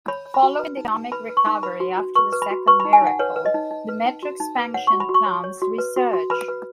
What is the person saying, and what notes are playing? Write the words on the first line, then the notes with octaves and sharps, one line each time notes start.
Following the economic recovery after the second miracle, the metro's expansion plans resurged.
C#5 B5
C#5
B5
F#4
B4
D#4
D#4
B4 B5
B4
C#6
D#4
B4 B5
F#4
F#4
B4 C#6
B4
B5
F#4
B4 C#6
D#4 B5
G#5
D#4 F#5
B4 C#5
B4
D#5
D#4
D#4
B4
D#4
F#4
D#4
B4
C#5 F#5
C#6
F#4
B5
F#4
C#6
C#5
C#5
F#4
B4
F#4
F#4
B4 B5
B4